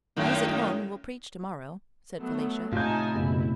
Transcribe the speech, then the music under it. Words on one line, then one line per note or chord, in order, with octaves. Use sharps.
"He is at home and will preach tomorrow," said Felicia.
F#2 A2 D#3
F#3 A3 B3
A2 C3 D#4 F4 G#5 A5 G6
F#1 B2 E4